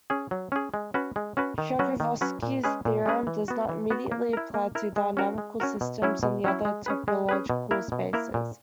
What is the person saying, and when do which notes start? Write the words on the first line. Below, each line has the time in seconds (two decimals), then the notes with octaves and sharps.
Sharkovskii's theorem does not immediately apply to dynamical systems on other topological spaces.
0.10 C#4 G#4
0.31 F#3
0.52 C#4 G#4
0.74 G#3
0.94 C#4 F#4 B4
1.16 G#3
1.37 C#4 F#4 B4
1.58 D#3
1.79 F#3 C#4 F#4 B4
2.00 D#3
2.21 F#3 C#4 F#4 B4
2.43 A#2
2.64 G#3 C#4 G#4 B4
2.85 A#2
3.06 G#3 C#4 G#4 B4
3.27 E3
3.48 B3 F#4
3.69 E3
3.90 B3 F#4
4.12 A#3
4.33 E4 A#4
4.54 A#3
4.75 E4 A#4
4.96 G#3
5.17 C#4 F#4 A#4
5.38 G#3
5.60 C#4 F#4 A#4
5.81 B2
6.02 F#3 C#4 E4
6.23 B2
6.44 F#3 C#4 E4
6.65 G#3
6.86 C#4 G#4 B4
7.08 G#3
7.29 C#4 G#4 B4
7.50 B2
7.71 A#3 E4 A#4
7.92 B2
8.13 A#3 E4 A#4
8.34 A#2